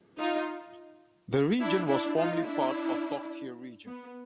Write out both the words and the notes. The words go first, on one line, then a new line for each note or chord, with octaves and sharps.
The region was formerly part of Togdheer region.
D#4 F4
D4 E4
D4 E4
D#4 F4
D4 E4
B3